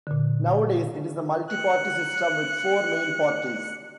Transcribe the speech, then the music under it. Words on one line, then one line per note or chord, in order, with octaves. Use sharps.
Nowadays it is a multi-party system with four main parties.
A#2 D3
F#6 C#7